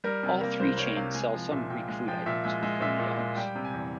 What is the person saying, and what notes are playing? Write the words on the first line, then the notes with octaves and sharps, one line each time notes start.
All three chains sell some Greek food items with Coney dogs.
G3 A#4
C3
A#3
C2 C5
G3 C#5
C3 F5
G#3 G#5
F3
A#2 E5
A#2 G5
G#3
F3 G5
A#2 E5
G#3 E5
G#3 E5
A#2 E5
A#2
G#3
G3 G5
C3
G#5
E2